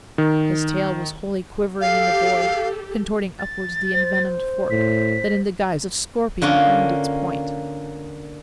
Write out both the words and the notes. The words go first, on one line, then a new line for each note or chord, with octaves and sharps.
His tail was wholly quivering in the void, Contorting upwards the envenomed fork, That in the guise of scorpion armed its point.
D#3
G4 A4 F5
A6
C5
A2 B6
D3 A#3 C#4 F4